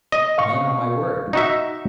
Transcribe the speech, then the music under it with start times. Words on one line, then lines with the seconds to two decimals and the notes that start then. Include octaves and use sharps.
None, on my word!
0.12 D#5
0.38 F5 C#6
1.33 D#4 F#4 E5